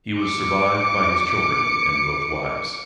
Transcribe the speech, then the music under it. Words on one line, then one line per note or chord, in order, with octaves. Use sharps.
He was survived by his children and both wives.
D6 C#7